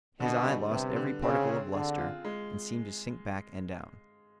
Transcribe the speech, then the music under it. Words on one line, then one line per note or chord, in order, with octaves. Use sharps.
His eye lost every particle of lustre and seemed to sink back and down.
B2 D3
G3
C3 B3
D3
C#3 C4
G#4
D3 G#4
F4
G#3